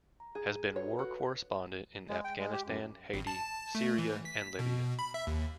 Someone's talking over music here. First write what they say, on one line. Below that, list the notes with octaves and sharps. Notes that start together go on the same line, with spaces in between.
Has been war correspondent in Afghanistan, Haiti, Siria and Libya.
A#5
G#4
F#4 A4 B4 C#5
F#4 B4
G#3
G5
G#3
G4
F#2
G#1
A5
A3
E3
B6
B2
B5
E5
D#2